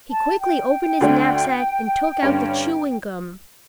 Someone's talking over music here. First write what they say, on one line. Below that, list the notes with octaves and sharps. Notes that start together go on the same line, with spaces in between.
He quickly opened his knapsack and took out the chewing gum.
A5
G5
D2 D3 A3 D4
G2 D3 G3 C#4